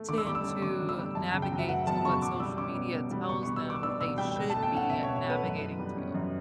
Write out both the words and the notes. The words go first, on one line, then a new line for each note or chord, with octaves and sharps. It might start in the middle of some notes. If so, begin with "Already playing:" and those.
tend to navigate to what social media tells them they should be navigating to.
Already playing: A3
D3 D6
E6
G3 D6
E6
C#4
D3 D6
D3
E6
G3
F#2 A5
C#3
G5
F#3
E5
B3 F#5
F#2 A5
C#3 C#6
B2 D6
G3 E6
C#4 D6
B2
B2
G3
B2 C#6
C#6
G3
E6
B3 D6
D4 E6
B2 E6
G3 G5
B2 G5
A5
A3
G5
C#4
F#5
B2 E5
C#5
B2
C#5
A3 B4
F#2
E3
G3
C#4
F#2